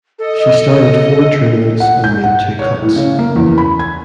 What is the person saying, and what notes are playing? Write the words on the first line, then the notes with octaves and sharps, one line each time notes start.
She started four tournaments and made two cuts.
A4 D#5
F#5
G6
F#5
C#5
A2
C#3
A#3
E2
B5
G#6